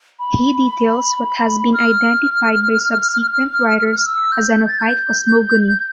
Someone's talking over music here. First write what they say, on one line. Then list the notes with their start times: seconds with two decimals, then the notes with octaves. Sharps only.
He details what has been identified by subsequent writers as an Ophite cosmogony.
0.19 B5
1.74 F6
4.06 E6
4.32 G6
4.58 G6
4.68 A6
4.79 G6